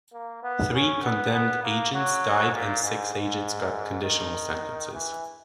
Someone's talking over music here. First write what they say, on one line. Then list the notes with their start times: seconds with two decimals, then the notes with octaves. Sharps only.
Three condemned agents died and six agents got conditional sentences.
0.13 A#3
0.43 B3
0.74 C#4
1.03 B3
1.33 B3
1.63 A#3
1.93 F#3
2.53 A#2
2.83 G#2
3.13 G#2
4.03 D#3
4.93 E3